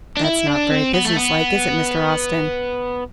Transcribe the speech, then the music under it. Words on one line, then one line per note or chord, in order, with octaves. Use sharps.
That's not very business-like, is it, Mr. Austin?
D4
E4
D4
C4
B3
A3
B3